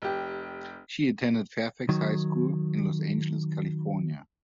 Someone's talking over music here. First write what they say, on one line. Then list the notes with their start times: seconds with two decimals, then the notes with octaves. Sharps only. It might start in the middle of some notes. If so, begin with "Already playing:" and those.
She attended Fairfax High School in Los Angeles, California.
0.02 F1 G4
1.89 D#3 F#3